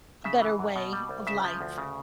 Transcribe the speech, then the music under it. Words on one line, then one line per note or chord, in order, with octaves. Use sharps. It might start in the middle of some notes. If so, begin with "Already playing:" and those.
a better way of life.
C#3 E5
E3
F#2
B2
G3
C2
C#3 E5
F3
D2
C#3